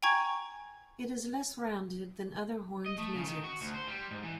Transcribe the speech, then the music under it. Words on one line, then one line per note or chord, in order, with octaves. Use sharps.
It is less rounded than other horned lizards.
G5 G#5 A#5 C#6 G#6
D#5
A3
C#3
D#3
F#4
D2
C5
G3
G#2
E3